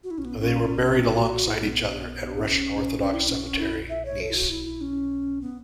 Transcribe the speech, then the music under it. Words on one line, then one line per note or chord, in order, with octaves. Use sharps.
They were buried alongside each other at Russian Orthodox Cemetery, Nice.
F#4
E4
C#4
B3
C#4
C#4
F#4
F#4
E4
B3
C#4
C#4
E4
C#4
C#4
E4
E5
C#5
A4
E4
F#4
E4
E4
C#4
B3